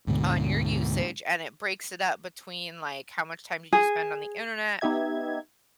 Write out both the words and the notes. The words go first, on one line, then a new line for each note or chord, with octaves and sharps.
on your usage and it breaks it up between, like, how much time did you spend on the internet
D2 G#2 B2 D3
G#4
B3 D#4 G4 E5 G#6